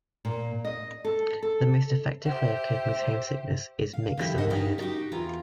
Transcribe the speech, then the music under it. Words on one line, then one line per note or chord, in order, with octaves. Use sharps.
The most effective way of coping with homesickness is mixed and layered.
A#2
D#5
A4
A4
G4 C5 E5
F5
D3 E3 G4
A#2 C5 D#5 F#5
C#3 D#4 G4
D#4 F#4 G4
E2 F4 A#5